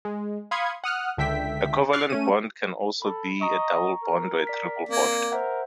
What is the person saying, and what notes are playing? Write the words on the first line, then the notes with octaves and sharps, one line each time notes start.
A covalent bond can also be a double bond or a triple bond.
G#3
F5 B5 C6 D#6 G#6 C#7
F#5 D#6 F6 F#6
C#2 D3 E5 G5 B6
D6 F6 F#6 A6 C7
A3 C#4 D#7
A4 B5
D#5 A#5 C#6
A#4
D5 B6
A#3 C4 D5 G#6
A#4 C5 E5 F#5